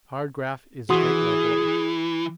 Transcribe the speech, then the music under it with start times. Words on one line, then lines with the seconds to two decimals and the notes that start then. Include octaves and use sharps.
Hard graft is a great leveller.
0.90 E3 F#4 G#4 C6 D#6